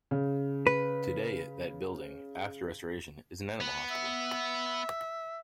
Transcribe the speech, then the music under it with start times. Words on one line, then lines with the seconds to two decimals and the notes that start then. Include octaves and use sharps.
Today that building, after restoration, is an animal hospital.
0.11 C#3
0.67 B4
3.61 B3
3.91 E5